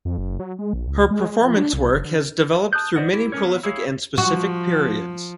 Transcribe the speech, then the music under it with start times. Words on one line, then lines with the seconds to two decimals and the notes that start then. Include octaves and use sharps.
Her performance work has developed through many prolific and specific periods.
0.05 F2
0.18 F#1
0.40 F#3
0.59 G#3
0.73 A#1
0.88 C#2
1.11 G#3
1.41 F3
1.57 D4
1.73 C2
1.93 F#1
2.05 D3
2.73 A5 D#6 F#6 G6
2.96 B4 C5 D5 D#5 F#5
3.13 E4 G4
3.32 E3 A3 C#4 A#4 C#5
3.45 F#3 B3 F4
3.64 E4 G#4 C#5 F5
4.18 F3 F#4